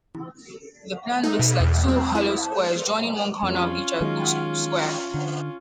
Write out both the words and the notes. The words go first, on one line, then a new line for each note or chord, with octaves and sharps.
The plan looks like two hollow squares joining one corner of each square.
D#4
B2
E2
C4
E4
F2 C#4 F4
D#3 F#3 G#3
D3